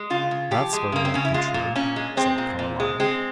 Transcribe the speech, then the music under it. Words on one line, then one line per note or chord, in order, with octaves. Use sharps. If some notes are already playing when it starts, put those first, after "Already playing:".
"That's very likely true," said Carlyle.
Already playing: G#3
C#3 F4
C#3
F3 G4
G#3
C#3 A#3
C4
C#3 C#4
E4
G#3 F4
A#2
A#2 C#4
G#3
G#3 C4
A#2
A#2
G#3
G#3 C4